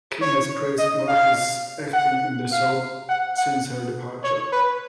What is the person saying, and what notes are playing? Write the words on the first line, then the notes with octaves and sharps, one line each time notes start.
King has praised Marsh's acting in the soap since her departure.
C#5
D#5
F5
F#5
F5
F#5
F#5
C#5
B4